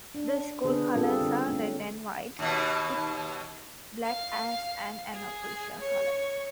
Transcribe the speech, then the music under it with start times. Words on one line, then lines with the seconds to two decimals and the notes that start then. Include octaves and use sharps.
The school colors are red and white, with black as an unofficial color.
0.15 D4
0.64 D3 B3 D4 G#4 B4 C5
0.94 G3 C4 F4 G#4 A4
1.08 A#4
1.21 D3
1.48 A3 C#4
2.39 D#2 B2
4.03 F5
5.13 G#4
5.78 C#5